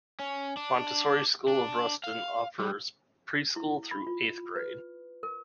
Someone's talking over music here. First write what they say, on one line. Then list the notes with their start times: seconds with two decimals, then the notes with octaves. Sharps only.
Montessori School of Ruston offers preschool through eighth grade.
0.20 C#4
0.57 D4
1.48 D4
2.04 F5
2.59 G3
3.56 E4
3.91 B5
4.07 F4
4.56 B4
5.23 A#4